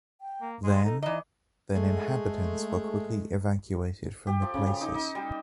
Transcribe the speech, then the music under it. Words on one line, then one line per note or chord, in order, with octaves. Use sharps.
Then, then inhabitants were quickly evacuated from the places.
G5
A#3
G#3 C6
D#4 A4
E3 D#4 D5 D#5
G#3 A3
G4
F3
C#3
G4
D#4
D#4
G3